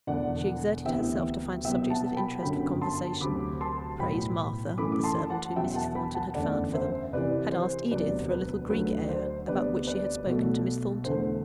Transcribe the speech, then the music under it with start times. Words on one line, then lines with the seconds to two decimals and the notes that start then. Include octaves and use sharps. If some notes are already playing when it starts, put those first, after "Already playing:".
She exerted herself to find subjects of interest for conversation; praised Martha, the servant whom Mrs. Thornton had found for them; had asked Edith for a little Greek air, about which she had spoken to Miss Thornton.
0.07 E1 E2 D3 D5 F#5
0.85 D2 C3 E3 B3 E5 G5
1.64 C2 B2 F#3 B3 E5 G5
1.90 F#5 A5
2.17 G5 B5
2.43 G1 F#2 D3 F#3 G5 B5
2.82 A5 C6
3.21 D2 C3 F#3 B5 D6
3.61 A5 C6
3.99 B1 A2 F#3 B3 G5 B5
4.78 F#2 E3 A3 B5 D6
4.92 D6
5.03 A5 C6
5.30 F#5 A5
5.56 E2 B2 F#3 E5 G5
5.76 F#5 A5
5.95 G5 B5
6.15 F#5 A5
6.34 F#1 E2 D3 A3 D5 F#5
6.73 C5 E5
7.13 C2 C3 E3 B4 D5
7.52 C5
7.91 E1 D2 C3 F#3 B4 D5
8.30 B4
8.70 D2 D3 F#3 A3 B4
9.04 D5
9.09 C5
9.48 D2 C3 G3 B3 B4 D5
9.87 B4 D5
10.26 B1 B2 F#3 A3
11.05 E2 D3 A3 C5